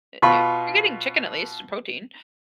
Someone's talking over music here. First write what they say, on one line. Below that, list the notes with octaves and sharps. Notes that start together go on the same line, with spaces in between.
Eh u You're getting chicken, at least, protein.
B2 F4 B5 C#6